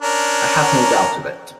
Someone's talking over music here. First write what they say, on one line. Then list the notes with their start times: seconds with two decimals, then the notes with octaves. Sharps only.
I have no doubt of it.
0.02 C#4 D4 A#4